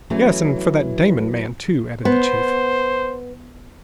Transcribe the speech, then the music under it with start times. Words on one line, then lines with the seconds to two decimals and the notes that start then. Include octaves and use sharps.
"Yes, and for that Damon man, too," added the chief.
0.10 E2 E3 F#3 A3 C#4 C#5
2.05 B3 C5